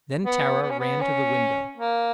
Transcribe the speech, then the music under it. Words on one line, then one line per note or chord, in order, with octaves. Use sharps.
Then Tara ran to the window.
B3
B3
C#4
B3
C#4
A#3